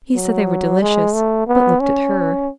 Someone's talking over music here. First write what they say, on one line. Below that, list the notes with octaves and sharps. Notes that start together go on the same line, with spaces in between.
He said they were delicious, but looked at her.
F#3
G#3
A3
B3
C#4